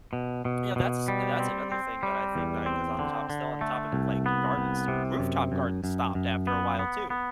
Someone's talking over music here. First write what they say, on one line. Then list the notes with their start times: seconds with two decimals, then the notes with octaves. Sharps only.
Yeah, that's that's another thing that I think I 'cause on the topi still on the topic of like gardens, rooftop gardens stopped after a while too,
0.13 B2
0.45 B2
0.76 B2
1.08 G3
1.40 C4
1.72 C4
2.03 G3
2.35 E2
2.66 C4
2.99 D3
3.30 D3
3.61 A3
3.93 C2
4.26 B3
4.57 C2
4.88 C3
5.20 F#2
5.52 F#2
5.84 F#2
6.15 F#2
6.47 B3
6.79 B3
7.10 B3